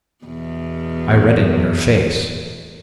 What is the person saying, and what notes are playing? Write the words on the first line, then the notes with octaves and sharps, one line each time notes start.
I read it in her face.
E2 B2